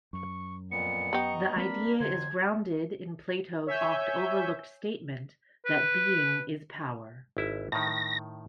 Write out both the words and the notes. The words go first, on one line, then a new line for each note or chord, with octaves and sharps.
The idea is grounded in Plato's oft-overlooked statement that being is power.
F#2 C#6
F2 A#2 B3 C#7
B3 G4 D#5 A#5 C#6
G#3 A#3 C4 D4 A#4 B5
F2 D3 F#3 C5 G#6
C#5 E5 G#5 G6
B4
G#1 E4 E5
A2 D#3 A#6